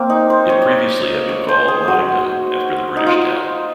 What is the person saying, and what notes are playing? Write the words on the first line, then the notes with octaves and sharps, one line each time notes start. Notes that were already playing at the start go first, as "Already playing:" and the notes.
It previously had been called Nottingham after the British town.
Already playing: A#3 C4
D#4
C5
C#5
C#5
C5
G#4
F#4
D#4
F4